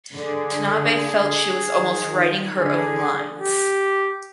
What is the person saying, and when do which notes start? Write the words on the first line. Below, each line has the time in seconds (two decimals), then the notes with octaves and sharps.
Tanabe felt she was almost "writing her own lines".
0.14 D3 G#4
1.78 D#3
2.59 D3 G#4
3.41 G4